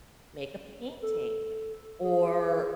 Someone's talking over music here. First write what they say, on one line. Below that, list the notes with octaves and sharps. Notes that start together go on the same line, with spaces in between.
make a painting, or
A4
G#4